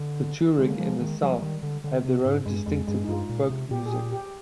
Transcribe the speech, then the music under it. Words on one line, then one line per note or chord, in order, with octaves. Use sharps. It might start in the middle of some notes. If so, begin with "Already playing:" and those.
The Tuareg in the south have their own distinctive folk music.
Already playing: D3
D3 G#3
A#3
F3 G#3
D#3
F3 G3
D#3
D3
D3
C3
G#2
G2 G#3
F2 G#3
G2 G#3
D#4
G2 F4
A#2
C3
A#2 G4
G#4
G4
G4